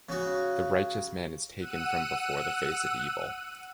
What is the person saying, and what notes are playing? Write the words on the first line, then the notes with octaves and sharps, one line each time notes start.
The righteous man is taken from before the face of evil.
C#3 F#4
F#5 E6 F#6 D#7